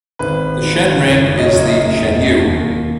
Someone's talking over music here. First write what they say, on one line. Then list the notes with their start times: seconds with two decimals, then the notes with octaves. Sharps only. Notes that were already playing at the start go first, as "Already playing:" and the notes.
The Shen ring is the 'shenu'.
0.19 G#1 B4
0.64 G#2
1.09 F#1 C#5
1.38 D#5
1.46 C#5
1.53 F#2 D#5
1.68 D#5
1.97 E1
2.43 D#2